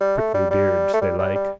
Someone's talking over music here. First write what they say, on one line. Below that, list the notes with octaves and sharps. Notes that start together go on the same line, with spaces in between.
Prickly beards they like.
G3
A3
G3
G3
A3
G3
G3
G3